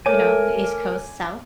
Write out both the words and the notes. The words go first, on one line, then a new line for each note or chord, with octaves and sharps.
You know, in the East Coast, south,
A3 A#4 C#5 G#5 D6